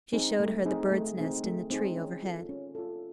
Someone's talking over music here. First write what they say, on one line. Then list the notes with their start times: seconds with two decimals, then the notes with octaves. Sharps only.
She showed her the bird's nest in the tree overhead.
0.13 C4 D#4 G#4
0.40 A3
0.66 C4 D#4 G#4
0.92 A3
1.17 C4 D#4 G#4
1.44 A3
1.70 C4 D#4 G#4
1.96 C#4
2.23 F4 A4
2.49 C#4
2.75 F4 A4